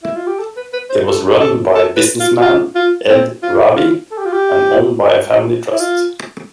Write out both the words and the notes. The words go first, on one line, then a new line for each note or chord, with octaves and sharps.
It was run by businessman Ed Raabe and owned by a family trust.
E4
F4
G4
A4
B4
B4
C5
A4
A4
A4
B4
F4
F4
F4
C4
F4
F4
A4
G4
F4
G4
E4
F4